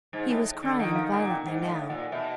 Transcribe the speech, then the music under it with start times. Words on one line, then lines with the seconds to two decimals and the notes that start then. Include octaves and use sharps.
He was crying violently now.
0.13 G#2
0.29 A2
0.63 D3
0.79 D#3 F#5
0.95 F5
1.13 A#2 F#5
1.30 G5
1.46 G#2 F#5
1.62 G#2
1.69 A2 F5
1.90 A#2 F#5
2.12 B2 E5